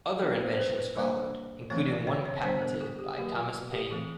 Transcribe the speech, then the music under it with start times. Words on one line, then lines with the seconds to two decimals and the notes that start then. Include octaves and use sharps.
Other inventions followed, including one patented by Thomas Paine.
0.22 D#3 F#3 B3 D4 A#4
0.41 C5
0.53 C5
0.59 B4
0.78 A#4
0.95 G3 A#3 D4 C5
1.70 E3 A3 C4 C#5
1.88 D5
2.07 C#5
2.25 C#5
2.43 D3 G3 B3 D4 C5
2.62 A#4
2.81 G#4
2.99 G4
3.17 D#3 F#3 A#3 G4
3.36 F4
3.54 F4
3.72 G4
3.91 E3 A3 C4 G#4